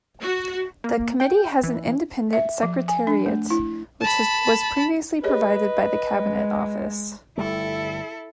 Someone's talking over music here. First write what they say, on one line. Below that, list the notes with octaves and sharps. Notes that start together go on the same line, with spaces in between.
The committee has an independent secretariat which was previously provided by the Cabinet Office.
F#4
A#3
G5
E3
E5
F3
G#5
D4
A3
E4
A5 B5
G4 G#4 B4 C#5 D#5
G#3
G1 G3 A3 E4 A4